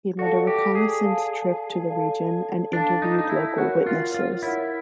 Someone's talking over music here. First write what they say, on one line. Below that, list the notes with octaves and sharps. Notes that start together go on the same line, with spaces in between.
He made a reconnaissance trip to the region, and interviewed local witnesses.
F#4 A4 D5 F5 A5
G4
G#4
A4 D5 F5 A5
A4 D5 F5 A5
D4 A4 D5 F5 A5
D#4
D#4
E4
F#4 A#4 C#5 F#5
F4
F4
E4 A#4 C#5 F#5